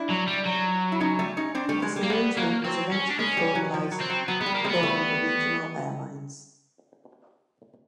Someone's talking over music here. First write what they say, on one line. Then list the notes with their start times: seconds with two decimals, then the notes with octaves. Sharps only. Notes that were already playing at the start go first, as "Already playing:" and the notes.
This arrangement was eventually formalized, forming the regional airlines.
Already playing: D4 E4
0.10 F#3
0.27 G3
0.45 F#3
0.92 E4
1.00 C#4 D#4
1.19 G3 A3
1.37 C#4 D#4
1.55 C4 D4
1.69 G3 A3
1.82 G#3
1.96 G3
2.03 A#3
2.10 G3 B3
2.37 F#3 A#3
2.64 F#3 C4
2.92 C#4
3.10 D4
3.19 G#3 C#4
3.37 G3
3.55 F#3
3.74 F3
3.91 F#3
4.01 C4
4.10 F#3
4.28 F#3 B3
4.41 G#3 B3
4.46 G3
4.55 A#3
4.64 G#3 C4
4.70 B3
4.75 A#3
4.83 G3 A3